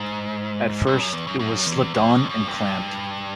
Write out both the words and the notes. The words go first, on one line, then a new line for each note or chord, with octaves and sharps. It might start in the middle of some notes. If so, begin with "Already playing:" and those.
At first it was slipped on and clamped.
Already playing: G#2
G2
F#2
E2
F#2
F#2
E2
F2
F#2
F2
F#2
G2